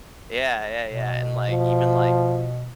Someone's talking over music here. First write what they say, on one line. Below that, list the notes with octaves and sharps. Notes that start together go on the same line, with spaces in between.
Yeah, yeah, yeah, and, like, even, like,
B2
F3